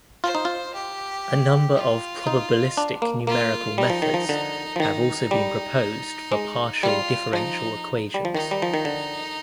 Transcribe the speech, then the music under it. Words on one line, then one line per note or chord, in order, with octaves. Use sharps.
A number of probabilistic numerical methods have also been proposed for partial differential equations.
F4 C5
D#4
F4
G4
F4
D#4
D4
A#3
A#3 F4
G3 D#4
F3
D#3
F3
D3
F3
D#3 D#4
G3
G#3
G3 F4
F3 D#4
G3
F3
D#3 D#4
G3
F3
D#3
D3